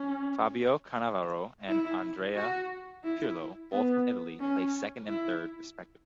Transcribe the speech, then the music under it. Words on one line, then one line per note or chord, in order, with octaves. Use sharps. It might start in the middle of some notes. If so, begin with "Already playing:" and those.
Fabio Cannavaro and Andrea Pirlo, both from Italy, placed second and third respectively.
Already playing: C#4
E4
F#4
E4
B3
C#4
E4